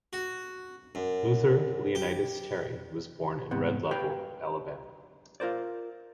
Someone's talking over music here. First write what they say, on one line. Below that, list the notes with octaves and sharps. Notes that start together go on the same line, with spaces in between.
Luther Leonidas Terry was born in Red Level, Alabama.
F#4
F#2
G4
C2 G#2 B3 C4
G4 B4 F5 G5
F4 A#4 C5 D5